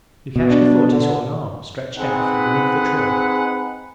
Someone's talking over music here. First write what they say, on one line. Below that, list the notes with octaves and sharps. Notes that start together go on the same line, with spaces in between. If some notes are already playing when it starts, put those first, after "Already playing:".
Lukashka thought he saw an arm stretched out from beneath the tree.
B2
D4
D3
C4 D#4 G#4 B4 F#5